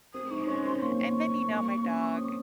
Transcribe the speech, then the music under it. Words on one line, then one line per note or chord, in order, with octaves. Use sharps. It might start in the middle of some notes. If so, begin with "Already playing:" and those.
yeah, and then, you know, my dog,
C4 D#6
D#4 C#6
C#4 C#6
C4 C6
A#3 C#6
A#3
C#4
C4 D#6